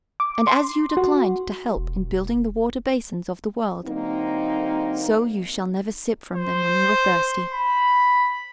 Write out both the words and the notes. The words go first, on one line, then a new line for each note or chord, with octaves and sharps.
And as you declined to help in building the water-basins of the world, so you shall never sip from them when you are thirsty.
D6
C6
F#4
E1
D3 F#3 A#3 C4 D#4
C5
B5